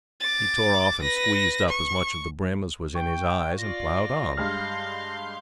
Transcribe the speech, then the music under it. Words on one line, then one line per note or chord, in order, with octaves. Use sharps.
He tore off and squeezed up as much of the brim as was in his eyes and ploughed on.
D6 A6
B4 A#6
C#6
G5 C#6
F4 D5 A#6
G2 G#3 F5 C6 F6 G6